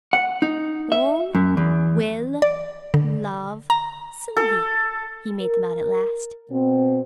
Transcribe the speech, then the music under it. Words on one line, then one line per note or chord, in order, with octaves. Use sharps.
"All--will--love--Sylvie," he made them out at last.
F#5
D#4
E5
F#2
E2
D5
D3
A#5
A4
A#4
B2 C4